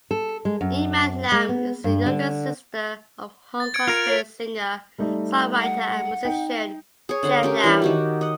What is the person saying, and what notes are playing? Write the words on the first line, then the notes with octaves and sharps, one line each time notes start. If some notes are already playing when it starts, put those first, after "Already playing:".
Eman Lam is the younger sister of Hong Kong-based singer-songwriter and musician Chet Lam.
A4
G#3
F#2
G#3
B3
G2
D3
A6
G#6 C#7 D7
F4 A#4 F6 F7
C#5
G3 A3 D#4
F#5
D#4 G5
G#4 C#5
D3 F#5 C6
C#4 G4 A#4
E3 G3 D4 E4
D#3 F#4 G4
D#5 F#5